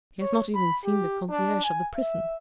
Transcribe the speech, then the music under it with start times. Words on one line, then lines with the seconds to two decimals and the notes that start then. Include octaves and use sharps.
"He has not even seen the concierge of the prison."
0.21 C#5
0.55 B5
0.85 G4
1.30 D4
1.64 G#5
1.96 E5